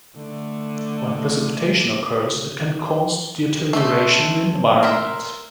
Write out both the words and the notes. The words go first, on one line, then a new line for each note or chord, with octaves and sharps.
When precipitation occurs, it can caused deterioration in the environment.
D3 A3
A3 C#4 A4 C5
A#4 E5 C6